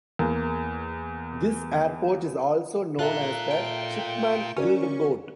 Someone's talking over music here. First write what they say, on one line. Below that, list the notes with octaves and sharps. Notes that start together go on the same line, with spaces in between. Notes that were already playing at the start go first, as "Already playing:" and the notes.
This airport is also known as the "Chipman Gliderport".
E2 A#3
F4 A4 A#4 E5 A5 F#6
G5
C#4 F#4 A#4 D5